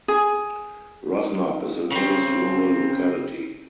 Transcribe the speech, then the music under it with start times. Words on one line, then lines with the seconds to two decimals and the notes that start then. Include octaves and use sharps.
Rosnob is the nearest rural locality.
0.08 G#4
1.92 C#3 C4